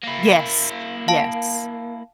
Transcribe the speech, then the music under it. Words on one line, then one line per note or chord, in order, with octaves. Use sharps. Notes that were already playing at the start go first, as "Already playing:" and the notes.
Yes, yes.
A#3 E4
F5 A5